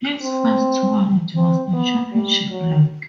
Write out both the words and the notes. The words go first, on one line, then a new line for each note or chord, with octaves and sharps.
His first tournament was the Championship League.
C4
C4
B3
G3
F#3